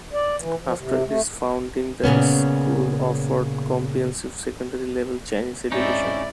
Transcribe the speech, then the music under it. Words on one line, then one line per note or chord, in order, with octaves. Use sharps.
After its founding, the school offered comprehensive secondary level Chinese education.
D5
E3
F3
C3
A3
A#2 C#3 B3 C#4
G#2 C4 C#4 D#4 E4 D5